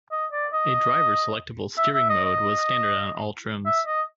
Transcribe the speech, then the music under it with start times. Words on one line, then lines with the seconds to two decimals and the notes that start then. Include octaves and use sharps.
A Driver Selectable Steering Mode was standard on all trims.
0.11 D#5
0.32 D5
0.53 D#5
1.78 E5
1.94 E5
2.10 D#5
2.25 D#5
3.66 E5
3.87 D#5